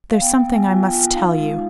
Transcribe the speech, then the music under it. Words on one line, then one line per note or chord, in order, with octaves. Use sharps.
'There's something I must tell you.
F5
B3 G5
B3
G#5
F4
G5
F4
D#4 F5
G#3